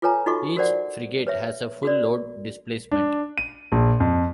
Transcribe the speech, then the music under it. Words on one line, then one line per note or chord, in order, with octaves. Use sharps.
Each frigate has a full load displacement.
F4 A4 B4 C#5 G#5 A#5
D#4 F4 F#4 A4 D#5 C#6
F#4 A#4 C5 D5 F#5
B4 C#5 E5
F#4 A#4 D5
D4
D#7
A#1
F2